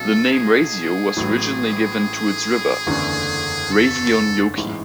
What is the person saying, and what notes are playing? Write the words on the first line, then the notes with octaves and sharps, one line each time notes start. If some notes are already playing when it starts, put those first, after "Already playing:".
The name "Raisio" was originally given to its river, Raisionjoki.
Already playing: B1 B2 F#3 C#4 A4
G#4
A1 A2 F#3
F#1 E2 D3 A3 C#4
A4
A1 G#2 E3